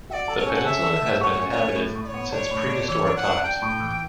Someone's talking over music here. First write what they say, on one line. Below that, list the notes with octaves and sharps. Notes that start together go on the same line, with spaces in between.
The peninsula has been inhabited since prehistoric times.
F#4 D5 E5
A4
C#5
C#4
F#5
A4 E5
A4
A3
F#4 C#5
C#4
C#5
A3
A2
A2
D5
C#5
B3
D4 C#5
A2
D4
E3 C#5
D4
F#5
D4
D4 G5
A2
E3